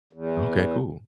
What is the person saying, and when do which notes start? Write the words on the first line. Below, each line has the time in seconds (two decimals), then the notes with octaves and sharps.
Okay, cool.
0.13 E2